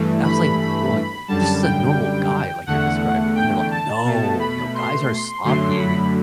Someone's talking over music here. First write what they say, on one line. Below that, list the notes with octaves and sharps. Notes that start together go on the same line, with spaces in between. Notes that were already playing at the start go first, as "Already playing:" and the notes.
I was like or, like, "This is a normal guy," like, "you're describing," and, they're like, "No," you know, "guys are sloppy."
Already playing: G2 E3 A3
B5
B5
F#2 D3 G3 A5
G5
E2 D3 A3 F#5
G5
A5
B2 A3
B5
C6
F#2 D3 F#3 A3 C6
B5